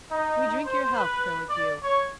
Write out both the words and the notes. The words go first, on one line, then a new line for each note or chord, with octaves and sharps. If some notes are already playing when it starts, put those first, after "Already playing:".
'We drink your health, Curlicue.
D#4
C5
B4
D5
C#5